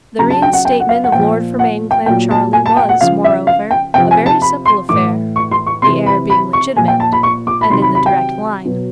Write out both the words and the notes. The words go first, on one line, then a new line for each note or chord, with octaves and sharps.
The reinstatement of Lord Fermain Clancharlie was, moreover, a very simple affair, the heir being legitimate, and in the direct line.
C#3 F#3 A#5
A5
G5
F#5
G5
F#5
F5
F#5
A#2 F3 G5
F#5
G5
A#2 F#3 G5
A5
G#5
A5
G5
F#5
C#3 F3 F5
E5
F5
G5
C3 F3 G5
G#5
A5
B5
C6
A2 E3 D6
C#6
C6
C#6
C3 C6
E3
B5
B5
C#6
A#2 F3 G#5
G5
A5
B5
C#6
D6
B5
C3 D#3 F#3 C6
B5
B5
G5
B2 F#3